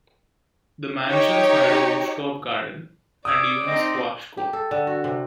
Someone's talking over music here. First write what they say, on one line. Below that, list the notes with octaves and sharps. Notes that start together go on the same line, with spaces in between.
The Mansions had a roof top garden, and even a squash court.
D#4 G4 C#5
D5 D#6 E6 G#6
C4 D#4 D#5
G4
A4
D3
F#4
C3